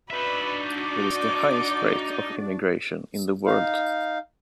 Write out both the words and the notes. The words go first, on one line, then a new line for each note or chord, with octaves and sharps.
It is the highest rate of immigration in the world.
D4 D#4 F#4 B4 D5 E5
D6
D#4 F5